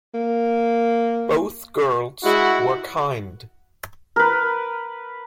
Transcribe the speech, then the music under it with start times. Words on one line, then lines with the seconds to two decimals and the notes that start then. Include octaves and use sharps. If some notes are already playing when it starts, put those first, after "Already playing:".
Both girls were kind.
0.14 A#3
2.25 G#3 E4 F#4
4.16 A#4 B4